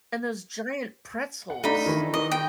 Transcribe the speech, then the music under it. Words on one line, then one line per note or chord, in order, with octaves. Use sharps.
And those giant pretzels.
F#5
A3 D4 D#4 B5
D#3 E3
D#3 D#5
G5